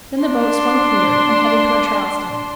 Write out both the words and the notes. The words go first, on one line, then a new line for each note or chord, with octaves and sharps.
Then the boat swung clear and headed toward Charleston.
D4 C6